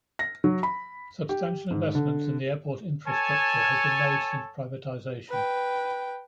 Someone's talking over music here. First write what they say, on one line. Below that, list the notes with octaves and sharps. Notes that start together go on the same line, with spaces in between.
Substantial investments in the airport infrastructure have been made since the privatization.
A#6
F#3
B5
G4
G#2
D3
A4 C#5 G#5 A5
B4 G5